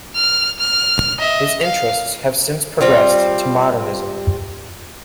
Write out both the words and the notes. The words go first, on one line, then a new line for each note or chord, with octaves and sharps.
His interests have since progressed to modernism.
F6
F6
D#5 E5
F5
G3 C4 F4